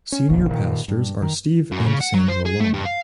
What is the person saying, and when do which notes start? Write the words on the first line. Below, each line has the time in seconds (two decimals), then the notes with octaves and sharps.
Senior pastors are Steve and Sandra Long.
0.12 C#4
0.29 F1 A#1 D#2
0.49 A#2 D#3
0.88 G2
1.22 D#3
1.72 F#2
1.86 C#3
2.01 F#5
2.14 F#3
2.28 C5
2.46 G#4
2.61 A3
2.74 G2
2.85 F5